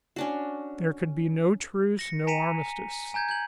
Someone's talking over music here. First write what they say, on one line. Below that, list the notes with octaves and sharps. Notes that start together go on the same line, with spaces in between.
There could be no truce, no armistice.
C#4 D4 F#4
A#6 C#7
G#5 A#5 B6 C#7 D#7 F7
G#5 A#5 G6 G#6
G6 G#6 F#7